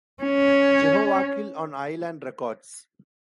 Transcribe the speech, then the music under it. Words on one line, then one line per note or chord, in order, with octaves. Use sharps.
"Jehovahkill", on Island Records.
C#4